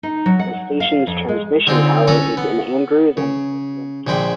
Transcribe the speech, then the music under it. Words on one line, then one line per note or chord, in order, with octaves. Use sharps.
The station's transmission tower is in Andrews and Midland County.
D#4
F#3
F#5
F5
F2
G#3
D3 G#3 C4 D#4 F4
C#4 A4 B4 G#5 A#5
B3
C#3
A#1 A#2 G#3 G5 B5